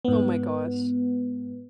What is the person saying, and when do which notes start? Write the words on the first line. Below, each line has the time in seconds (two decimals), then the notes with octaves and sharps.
Oh my gosh.
0.05 G#2 B3